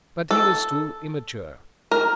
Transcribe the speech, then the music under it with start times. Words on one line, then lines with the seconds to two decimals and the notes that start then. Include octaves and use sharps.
But he was still immature.
0.31 A4
1.91 A#4